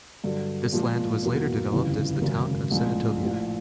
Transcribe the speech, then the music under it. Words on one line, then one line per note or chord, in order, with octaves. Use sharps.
This land was later developed as the town of Senatobia.
G2 D3 F#3
A#2 F3 G#3
E2 B2 F#3 A#3
G1 F2 C#3 E3 G3
G#1 F#2 C#3
A#1 A2 F3 G#3 C4
A#1 A2 F3